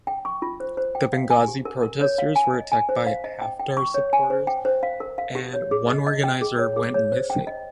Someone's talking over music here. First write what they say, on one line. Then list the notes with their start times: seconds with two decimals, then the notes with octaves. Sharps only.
The Benghazi protestors were attacked by Haftar supporters and one organiser went missing.
0.07 G5
0.25 C#6
0.42 F4
0.60 C5
0.77 C5
0.95 G5
1.13 F5
1.30 G#5
1.48 G4
1.65 A#4
1.83 A#4
2.01 C#5
2.18 F5
2.36 G#5
2.54 D#5
2.72 G#5
2.89 C5
3.06 F5
3.24 D#5
3.42 G5
3.59 G5
3.77 C#6
3.94 C#5
4.13 G#5
4.30 C5
4.47 G5
4.65 C5
4.83 F5
5.00 A#4
5.18 F5
5.35 G4
5.53 C#5
5.71 G#4
5.88 D#5
6.07 D#5
6.24 G5
6.41 G#4
6.59 C#5
6.76 G#4
6.94 C#5
7.12 C5
7.30 G5
7.47 D#5